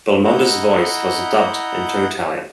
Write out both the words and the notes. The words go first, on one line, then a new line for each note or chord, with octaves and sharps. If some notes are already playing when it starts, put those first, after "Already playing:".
Belmondo's voice was dubbed into Italian.
E4 D#5 F#5 A#5 G6